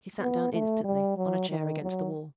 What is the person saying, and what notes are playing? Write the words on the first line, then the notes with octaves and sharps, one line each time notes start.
He sat down instantly, on a chair against the wall.
B3
A3
G3
F#3
D#3
F#3